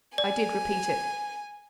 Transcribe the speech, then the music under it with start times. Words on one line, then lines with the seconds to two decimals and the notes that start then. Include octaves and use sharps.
I did repeat it.
0.18 D5 G#5